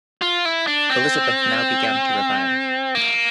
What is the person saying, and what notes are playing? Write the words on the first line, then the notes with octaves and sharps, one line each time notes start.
Elizabeth now began to revive.
F4
E4
D4
C4
A#3